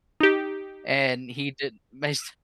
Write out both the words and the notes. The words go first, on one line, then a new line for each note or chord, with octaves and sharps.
And he did my s
D#4 G4